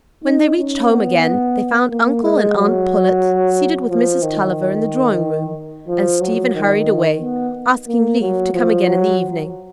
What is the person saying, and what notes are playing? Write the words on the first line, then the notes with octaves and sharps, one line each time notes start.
When they reached home again, they found uncle and aunt Pullet seated with Mrs. Tulliver in the drawing-room, and Stephen hurried away, asking leave to come again in the evening.
D#4
C#4
B3
A#3
G#3
F#3
F3
D#3
F3
F#3
D#3
B3
A#3
F#3
F3
F#3